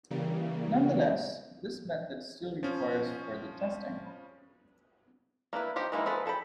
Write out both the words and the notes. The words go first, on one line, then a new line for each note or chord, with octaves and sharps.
Nonetheless, this method still requires further testing.
C#3 E3 G3 A#3
F3 C#4
A#3 D4 E4 B4
F3 D#4 G4
D#3 G#3 A#3 D#4 E4
F3 G#4 A4 B4
G#4 A4 G5 B5